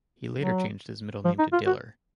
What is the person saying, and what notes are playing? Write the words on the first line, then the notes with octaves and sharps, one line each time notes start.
He later changed his middle name to Diller.
F#3
F3
D#4
F4
F#4